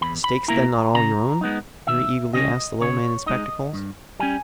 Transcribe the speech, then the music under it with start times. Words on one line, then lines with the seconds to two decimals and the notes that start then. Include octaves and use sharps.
"The stake's then not all your own?" very eagerly asked the little man in spectacles.
0.01 E2 B5
0.24 B5
0.48 B2 A#3 E4 A#5
0.94 C#3 A#5
1.41 G#3 B3 D#4
1.87 D#2 E5
2.33 C#3 G3 C#4 D#5
2.81 C#3 C#5
3.26 G#3 D#4 D#5
3.73 G2
4.20 G3 C#4 G#5